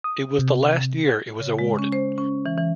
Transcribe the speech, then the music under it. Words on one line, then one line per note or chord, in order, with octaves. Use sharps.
It was the last year it was awarded.
D#6
C3
C#3
G#3
C#4
C5
C#4
E3
E3